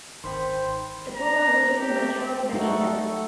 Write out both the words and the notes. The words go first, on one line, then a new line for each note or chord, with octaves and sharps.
The prologue was written by Charles Beckingham.
G#1 D#3 C5 G5 B5 C6
A#5
G4
A3 D#4 F#4 A4